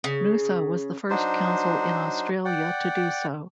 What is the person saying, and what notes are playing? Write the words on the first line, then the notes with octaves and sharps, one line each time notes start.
Noosa was the first Council in Australia to do so.
C#3
F#3 D4 D#4 C5
D5 F#5 G5